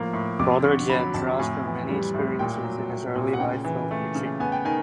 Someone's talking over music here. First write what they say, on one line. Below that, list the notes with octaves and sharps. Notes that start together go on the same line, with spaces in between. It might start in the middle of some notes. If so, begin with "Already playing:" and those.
Brother Jed draws from many experiences in his early life while preaching.
Already playing: A2 F3 A#3
A2
F2 D6
D3 C#6
F#3 B5
F2 A5
A2 G#5
E3
G3
A2
A#2 G5
F#3
A3
A#2
F#5
C#3 G5
E3
A3
C#3
B3 G#5
G5
D#3 G#5